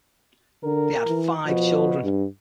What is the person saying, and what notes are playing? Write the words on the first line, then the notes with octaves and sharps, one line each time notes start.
They had five children.
D3 A#4
E3
B2 F3
G2